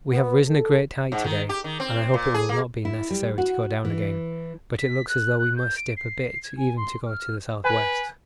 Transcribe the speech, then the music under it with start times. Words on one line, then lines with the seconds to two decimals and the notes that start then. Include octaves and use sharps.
We have risen a great height to-day and I hope it will not be necessary to go down again, but it looks as though we must dip a bit even to go to the south-west.
0.12 B3 B4
0.47 A4
1.12 G#2
1.24 D#3
1.49 G4
1.64 D#3
1.80 C4
2.14 A#2
2.34 G#4
2.49 A#3
2.85 E4
3.11 G3
3.38 F#4
3.85 E3
4.78 B6
5.08 F#6
5.38 F#6
5.56 G6
5.76 D7
5.97 C7
6.43 G#6
6.57 G#5
6.76 C6
7.06 F6
7.65 B4 G#5